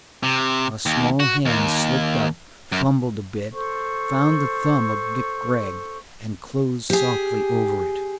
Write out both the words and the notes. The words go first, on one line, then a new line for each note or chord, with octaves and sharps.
A small hand slipped up, fumbled a bit, found the thumb of Vic Gregg, and closed softly over it.
C3
D#2
F#4
D#2
F#2
A4 C5 C#6
G4 G#4